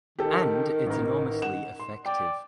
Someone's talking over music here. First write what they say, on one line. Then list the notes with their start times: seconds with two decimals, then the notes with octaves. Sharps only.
And it’s enormously effective.
0.19 D#3 G4 A4
0.86 A1 A#4
1.42 F#5 E7
1.80 C6
2.06 D5 G5